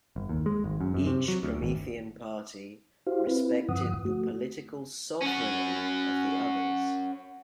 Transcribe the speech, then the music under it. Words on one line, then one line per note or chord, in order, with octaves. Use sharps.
Each Promethean party respected the political sovereigny of the others.
G1
D#2
G#3
G#1
F#2
F#2
C3
F#3
D2
G#1
E4 F#4 G4 C5 F5
C4 E4 B4
G2 D3 F3 F#5 D#6
A3 F#4
C#4 F#4